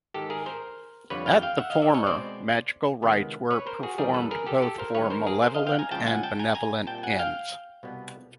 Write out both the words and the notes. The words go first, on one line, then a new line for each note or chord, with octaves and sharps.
At the former, magical rites were performed both for malevolent and benevolent ends.
G#2 D#3 G#3 G4 A4
G#4 A#4
A#4 C5
F2 D3 G3 B4 C#5
F5 G5
F5 G5
E5 F#5
D#5 F5
D5 E5
C#5 D#5
B2 G#3 C4 C5 D5
C#2 C3 D#3 G#3 B3
B4 C#5
A#4 C5
F#4 G#4
F2 C#3 E3 G3 G#4 A#4
A4 B4
G#4 A#4
G4 A4
G4 A4
A#4 C5
G2 D#3 G#3 B4 C#5
A#4 C5
G#4 A#4
A#4 C5
D#5 F5
F5 G5
G#5 A#5
C#2 C#3 F3 G5 A5
F#5 G#5
G5 A5
G#5 A#5
G#5 A#5
A#2 G3 C4 G5 A5
G5
F#5 G#5
F5 G5
C2 B2 G3 B3